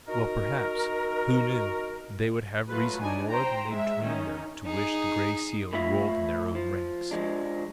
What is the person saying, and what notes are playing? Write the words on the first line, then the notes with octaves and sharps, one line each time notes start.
Well, perhaps, who knew, they would have reason more than they dreamed of to wish the Gray Seal enrolled in their own ranks!
D#4 F#4 A#4
F#3 A3 F4 B4
D4 D#4 G#5
C5 G5 A#5
G#3 E5
D#3 C#4 D#4
D#4 G#4
A2 E4 F4 E5 F5
F3
F3 G#3 D4